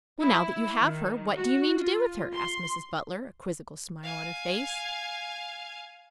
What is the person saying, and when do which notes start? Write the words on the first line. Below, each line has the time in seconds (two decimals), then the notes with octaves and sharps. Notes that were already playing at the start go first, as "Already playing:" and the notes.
"Well, now that you have her, what do you mean to do with her?" asked Mrs. Butler, a quizzical smile on her face.
0.20 E4
0.78 D#3
1.36 F#4
1.78 F4
2.33 C6
4.03 F5 G#5